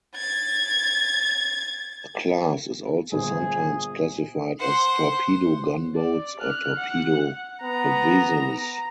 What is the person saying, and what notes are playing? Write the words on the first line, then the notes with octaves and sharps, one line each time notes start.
The class is also sometimes classified as torpedo gunboats or torpedo avisos.
G#6 A6
G1 A#2 G#4 C5
C5 F#5
D5
F6 F#6
F#5
B3 A#5